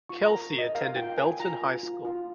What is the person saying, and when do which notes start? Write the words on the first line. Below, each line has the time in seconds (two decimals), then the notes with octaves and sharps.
Kelsey attended Belton High School.
0.09 F4 C#6
0.26 A#4 A#5
0.54 A#4
0.59 D#5
0.75 A#4 F5
0.96 F4 G5
1.18 A#4 G#5
1.40 F4 A#5
1.62 F4
1.83 F4
2.05 F4